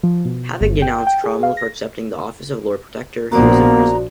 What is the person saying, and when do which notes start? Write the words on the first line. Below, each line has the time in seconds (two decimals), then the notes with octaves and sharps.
Having denounced Cromwell for accepting the office of Lord Protector, he was imprisoned.
0.03 F3
0.25 B2
0.61 G1
0.82 G5
1.07 G5
1.24 G#4
1.43 F5
1.57 A#6
3.32 A#1 F3 A#3 B3 F#4 D5 A#5